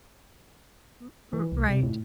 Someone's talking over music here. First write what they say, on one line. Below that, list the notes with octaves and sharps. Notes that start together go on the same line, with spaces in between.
R r right.
E3
C2
C3
A2